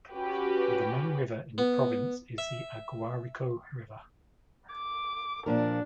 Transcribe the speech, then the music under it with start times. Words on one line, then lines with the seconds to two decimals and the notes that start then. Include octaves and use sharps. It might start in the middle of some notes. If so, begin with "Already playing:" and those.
The main river in the province is the Aguarico River.
0.11 C#4 F#4 G4 B4
1.58 B3
2.38 E5
4.73 D6
5.46 A#2 F3 D4 A#4